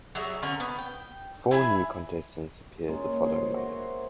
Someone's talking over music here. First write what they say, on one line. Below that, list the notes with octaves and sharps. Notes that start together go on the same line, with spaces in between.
Four new contestants appeared the following Monday.
F#3 G3 G#4 E5
D3 C#4 A#4 G#5
B3
G5
E4 G#4 E5 G#5
G#3 A#3 C#4 F4
G#4 C5
F#4 C5 E5